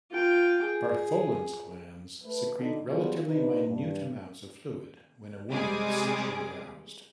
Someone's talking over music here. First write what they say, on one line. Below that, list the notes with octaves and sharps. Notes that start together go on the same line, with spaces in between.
Bartholin's glands secrete relatively minute amounts of fluid when a woman is sexually aroused.
F4 G5
G#4
A3 B4
D3 D#4
F#3 G3 B3 F4 G#4
C3 D4 D#4 B4
G2
C3 G3 G#3 G#4 D6